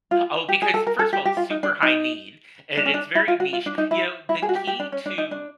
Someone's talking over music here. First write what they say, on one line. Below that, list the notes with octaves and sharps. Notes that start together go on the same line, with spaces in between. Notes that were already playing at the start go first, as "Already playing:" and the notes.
Oh, because first of all, it's super high need and it's very niche. You know, the key to
F4
G4
G#4
A4
A#4
A4
G4
G4
F4
D#4
D4
D#4
D4
C#4
D4
E4
F4
F#4
F4
D4
D#4
E4
E4
G#4
F#4
G4
G4
D4
C#4
D4
D#4
D4